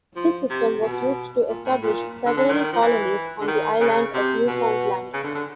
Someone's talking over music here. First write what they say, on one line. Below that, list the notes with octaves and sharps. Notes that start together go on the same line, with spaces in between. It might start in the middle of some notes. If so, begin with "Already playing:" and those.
This system was used to establish several colonies on the island of Newfoundland.
F3
C3
B2
A#2
A2
A#2
D3
D3
D#3
F3
E3
D3
D#3
C#3
C3
B2
C#3
D3
D3